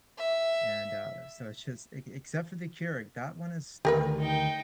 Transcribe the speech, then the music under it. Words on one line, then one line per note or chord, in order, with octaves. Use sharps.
and, uh, so it's just ec except for the Keurig, that one is stuck,
E5
D2 D#3 G4 A#4 B4
D#4 G5